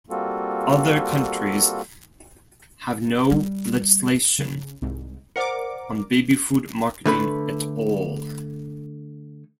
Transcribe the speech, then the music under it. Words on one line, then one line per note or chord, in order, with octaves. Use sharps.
Other countries have no legislation on baby food marketing at all.
G3 A#3 C4 F4 F#4 A4
G3
C#3
C2 G#2
A#4 C5 D5 F#5 D6 C#7
D3 A3 B4